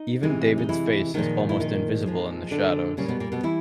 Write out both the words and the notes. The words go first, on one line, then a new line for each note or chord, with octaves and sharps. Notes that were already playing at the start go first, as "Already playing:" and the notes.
Even David's face is almost invisible in the shadows.
Already playing: D#4
C3 E3 G#3
D#4
E3 E4
A#2 D#3 F3 G#3 D#4
E4
D#3 D#4
A#2 F3 G#3
D3 D4
A#2 C#3 G3 C#4
B2 B3
A#2 A#3
B2 B3
E3 E4